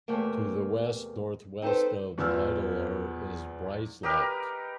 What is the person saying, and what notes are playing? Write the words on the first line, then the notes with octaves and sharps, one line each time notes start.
To the west-northwest of Ideler is Breislak.
E2 C3 A3 A#3
C4 D#4 A4 B4 C5
E2 F3 B3 E6 F6
D#4 G4 A#4 B4